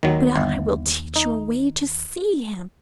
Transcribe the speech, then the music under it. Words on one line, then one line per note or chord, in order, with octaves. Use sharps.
But I will teach you a way to see him.
D#2 D#3 F#3
G1
D#4